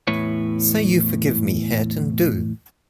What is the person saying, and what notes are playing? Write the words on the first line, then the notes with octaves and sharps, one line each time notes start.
Say you forgive me, Hareton, do.
E2 A2 E4 B4 C#5